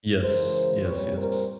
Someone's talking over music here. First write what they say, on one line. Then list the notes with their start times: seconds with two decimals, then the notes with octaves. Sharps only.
Yes, yes, yes.
0.22 C#3 E3 G#3 A#4 C5
0.84 A#2 G3 C4 B4 C#5
1.16 A#4 C5